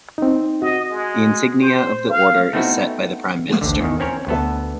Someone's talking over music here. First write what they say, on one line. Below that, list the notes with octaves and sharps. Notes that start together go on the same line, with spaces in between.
The insignia of the Order is set by the Prime Minister.
C4 D#4
F#4 D#5
G#3
C5
F5
A3 B3 C4 D#4 E4 F#4
A1 D2 D3
E2 D#3
C4 C#4 A#4 C#5
D2 B3 A4